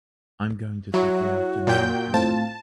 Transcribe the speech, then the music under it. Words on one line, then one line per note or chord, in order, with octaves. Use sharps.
I’m going to take the afternoon off work.
F#3 E4 F#4 C#5
A#2 G5 G6
A2 C4 F4 A5